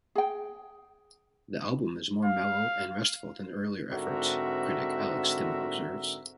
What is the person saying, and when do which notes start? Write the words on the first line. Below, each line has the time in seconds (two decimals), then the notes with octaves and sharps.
The album is more mellow and restful than earlier efforts, critic Alex Stimmel observes.
0.15 G#4 G5
2.25 F5
3.91 G#2 D3 C4 F#4 A#4 E5